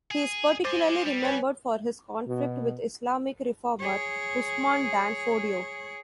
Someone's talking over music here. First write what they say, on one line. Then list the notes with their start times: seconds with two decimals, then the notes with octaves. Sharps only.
He is particularly remembered for his conflict with Islamic reformer Usman dan Fodio.
0.11 G#4
0.65 G#4 C5 D#5 D6 A6
1.06 G3
1.23 B4 C#5 G#5
2.27 B2
3.79 G#4 C#5